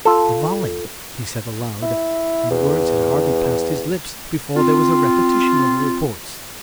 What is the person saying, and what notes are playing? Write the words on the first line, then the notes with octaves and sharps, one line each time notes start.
"A volley!" he said aloud, and the words had hardly passed his lips before there was a repetition of the reports.
F4 A4
E4
E2
C4 F4